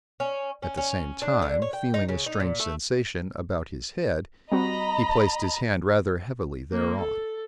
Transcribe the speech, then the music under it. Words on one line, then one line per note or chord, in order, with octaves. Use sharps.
At the same time, feeling a strange sensation about his head, he placed his hand rather heavily thereon.
C#4
C#4
C#4
D4
D3
C#5
G5
D#4
C#3
D#4
A#2
A3
G3 C4 F#4 D#5 A#5 B5
A#3
A4